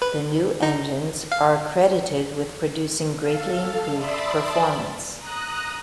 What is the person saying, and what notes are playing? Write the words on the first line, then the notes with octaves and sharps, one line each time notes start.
The new engines are accredited with producing greatly improved performance.
B4
D#4
F5
A4 F5
D5 E5 A5 B5 C6 D#6
A#5 D#6 F#6